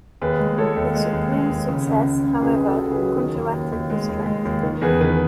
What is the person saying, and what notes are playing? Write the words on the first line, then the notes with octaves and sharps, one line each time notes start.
The Supremes' success, however, counteracted this trend.
D#2 G#4 B4
G#3
G#3 A4 C#5
D#2
G#3
D#2
G#3
D#2
C#3
C#2
C#2
C#2
C#2 G#4 B4
C#3
F#4 A4
C#2
G#4 B4
F#3
D#3
D#2
D#2
D#2
G#3
D#2
G#3
D#2
D#3
E2 G#4 B4
D#3 G#4 B4